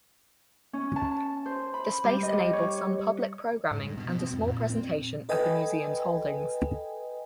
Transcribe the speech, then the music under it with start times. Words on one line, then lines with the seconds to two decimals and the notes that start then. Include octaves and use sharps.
The space enabled some public programming and a small presentation of the museum's holdings.
0.73 C#4
0.96 A5
1.46 C5
1.74 B5
2.04 G3
2.23 D#5
2.53 C#5
3.71 G#2
3.83 G2
3.97 B2
4.09 B2
4.21 C4
4.33 F2
4.46 A#2
4.70 C4
5.29 A4 B4 D#5 G5 G#5